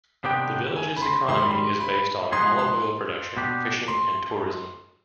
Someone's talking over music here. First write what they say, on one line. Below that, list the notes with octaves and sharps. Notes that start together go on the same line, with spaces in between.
The village's economy is based on olive oil production, fishing and tourism.
C3 D#3 B3 D4 G4 G5
G#5
B5
C6
G#2 D#3 G3 C6
B5
C6
B5
F3 G#3 B3 D#4 G#4 C6
C6
B2 B3 D4 G4
C6